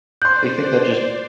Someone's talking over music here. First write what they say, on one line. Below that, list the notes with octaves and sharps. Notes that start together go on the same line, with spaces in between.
they think that just
C5 D5 C6 F#6 G6